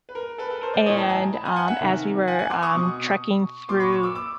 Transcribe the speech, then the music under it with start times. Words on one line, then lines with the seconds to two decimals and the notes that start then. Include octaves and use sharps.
and, um, as we were, um, trekking through the
0.09 B4
0.15 A#4
0.38 A4 B4
0.50 A4 B4
0.62 A#4 C5
0.74 C5 D5
0.86 A2 E3 C#5 D#5
0.97 G5 A5
1.09 G#5 A#5
1.32 A5 B5
1.45 G#5 A#5
1.56 F#5 G#5
1.68 E5 F#5
1.81 C3 D#3
2.28 F#5 G#5
2.39 F#5 G#5
2.50 C6 D6
2.62 C#6 D#6
2.75 B2
3.69 A#2 C6 D6
3.80 B5 C#6
3.92 B5 C#6
4.03 D6 E6
4.15 D6 E6